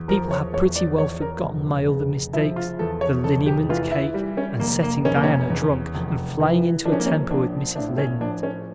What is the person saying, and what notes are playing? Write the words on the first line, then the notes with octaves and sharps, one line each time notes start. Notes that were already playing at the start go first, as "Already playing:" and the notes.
People have pretty well forgotten my other mistakes--the liniment cake and setting Diana drunk and flying into a temper with Mrs. Lynde.
Already playing: E2
F3 A#4
C#5
E2 C#5
D5
E2 C#5
A#4
F1
C#3
F3 E4
F4
E2 A4
C#5
F1 A4
G4
E3 F4
E4
G3
C#4
F1 A#3
A#3
F1 C#4
A#3
C#4
E2
F1
E3
F3 D4
C#4
A#3
C#4
A#1 D4
A2 D4
C#4
F3 D4
C#4